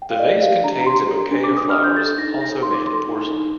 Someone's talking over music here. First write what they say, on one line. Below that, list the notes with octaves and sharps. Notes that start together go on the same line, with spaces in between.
The vase contains a bouquet of flowers also made in porcelain.
G5
F5
D5 D#5
D#5
G4 F5
D4 A#5
A#5
G4 C6
G4
D4
D6
D4 D#6
D4 F6
G6
A4 A6
D#4 A#6
A4 A#6
D#4 C6
D6
A4 C6
D#4
D#4